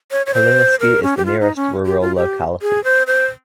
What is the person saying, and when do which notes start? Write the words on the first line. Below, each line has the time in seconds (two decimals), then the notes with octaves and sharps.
Kalininsky is the nearest rural locality.
0.11 C#5
0.26 C#5
0.34 C5
0.80 A#4
1.03 C#4
1.17 G4
1.25 F4
1.41 D#4
1.56 C#4
1.86 G4
2.01 F4
2.16 G4
2.62 G#4
2.84 C5
3.07 C5